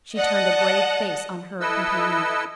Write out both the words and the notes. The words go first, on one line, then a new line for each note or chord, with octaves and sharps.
She turned a grave face on her companion.
D5 D#5 F#5 A5
E4 A4 B4 D#5 E6